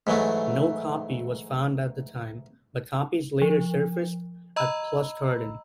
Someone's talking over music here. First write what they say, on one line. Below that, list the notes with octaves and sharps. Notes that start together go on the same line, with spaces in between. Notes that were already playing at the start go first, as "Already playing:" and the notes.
No copy was found at the time, but copies later surfaced at Pluscarden.
G#2 E3 F#3 A3
F3
D#5 A#5 B5 E6